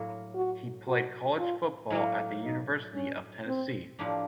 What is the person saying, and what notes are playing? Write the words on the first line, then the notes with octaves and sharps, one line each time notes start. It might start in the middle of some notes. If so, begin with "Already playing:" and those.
He played college football at the University of Tennessee.
Already playing: A2 F#3 A#3
F#4
F#4
F4
A2 F#3 A#3 E4
D#4
C#4
C4
A2 F3 A#3 D4 G4